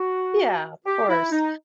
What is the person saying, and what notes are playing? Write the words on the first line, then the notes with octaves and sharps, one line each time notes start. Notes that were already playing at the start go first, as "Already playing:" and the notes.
Yeah, of course.
Already playing: F#4
G4
E4
D#4